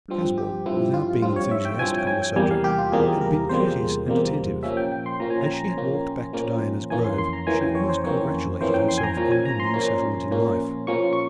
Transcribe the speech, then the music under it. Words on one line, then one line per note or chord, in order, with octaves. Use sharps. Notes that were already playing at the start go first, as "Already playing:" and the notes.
Caswall, without being enthusiastic on the subject, had been courteous and attentive; as she had walked back to Diana's Grove, she almost congratulated herself on her new settlement in life.
G2 F3 C4
G4
G2 F3 C4 E4
F4
G2 F3 C4 F4
C#5
E5
G5
G2 F3 C4 G#5
G5
G#5
G5
E2 C3 G3 A#3 G#5
F5
G4
F4
E2 C3 G3 A#3 G#4
A#4
E2 C3 G3 A#3 C5
E2 C3 G3 A#3
A#2 F3 A#3 C#4 E5
G5
G5
C6
A#2 F3 A#3 C#4 A#5
G#5
A#5
A#2 F3 A#3 C#4
A#2 F3 A#3 C#4
F2 E3 A#3 C#4 G#5
C6
C6
A#5
F2 E3 A#3 C#4 G#5
G5
C#5
C5
F2 E3 A#3 C#4 C#5
F2 E3 A#3 C#4 C5
G5
C6
G#5
A#5
A#2 F3 A#3 C#4 G#5
G#5
A#5
C6
A#2 F3 A#3 C#4
A#2 F3 A#3 C#4
A#2 F3 A#3 C#4 C#6
C#6